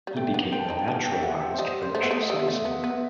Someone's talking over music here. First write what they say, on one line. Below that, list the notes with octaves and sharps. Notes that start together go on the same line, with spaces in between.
He became a naturalized French citizen.
G3
A3 G5
B3
C4 G5
A5
D#4 G5
B3 A5
G5
E5
G3 F#5
E5
C5
G3 D#5
C5
A3
B3 E5
D#5
A3
D#5
G3 E5
B3
A3 E5
B3 F#5
B3 E5